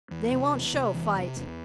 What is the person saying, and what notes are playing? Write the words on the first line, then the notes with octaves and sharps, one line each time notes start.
They won't show fight.
E2
C3
E2
C3
E2 E3
C3
E2